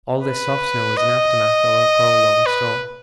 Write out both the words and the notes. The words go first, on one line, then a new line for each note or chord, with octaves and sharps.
All this soft snow is an aftermath of our prolonged storm.
B4
D#5
B4